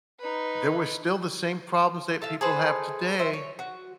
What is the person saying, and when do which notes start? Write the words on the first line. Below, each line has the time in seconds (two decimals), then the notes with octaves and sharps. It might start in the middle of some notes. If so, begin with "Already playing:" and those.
there were still the same problems that people have today,
0.19 D#4 B4
2.22 A4 E5 F5
2.41 G#4 A4 B4 C5
3.19 C5 E5
3.33 C#5
3.59 F#4